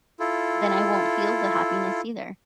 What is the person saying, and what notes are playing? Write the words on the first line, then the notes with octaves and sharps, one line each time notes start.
then I won't feel the happiness, either.
E4 F4 A4